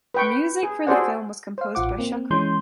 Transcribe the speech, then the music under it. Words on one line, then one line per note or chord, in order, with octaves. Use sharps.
The music for the film was composed by Chakri.
B4 G5 C#6
G#4
F#4 G#4 A4 C5 D5 F#5
C5 F5
A1 F4 F#5 D6
A#3 C4
E3 G#3 C#4 C6 G6